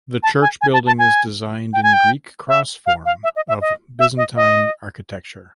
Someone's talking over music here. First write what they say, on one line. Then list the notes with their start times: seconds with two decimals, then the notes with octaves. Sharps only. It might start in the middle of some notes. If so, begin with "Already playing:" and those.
The church building is designed in Greek cross form of Byzantine architecture.
0.23 A5
0.42 G#5
0.61 G#5
0.73 A5
0.87 A5
0.99 G#5
1.73 G5
1.83 G#5
1.93 G5
2.49 E5
2.86 F5
3.06 F5
3.24 E5
3.36 D#5
3.48 E5
3.61 D#5
3.99 E5
4.17 D#5
4.36 D#5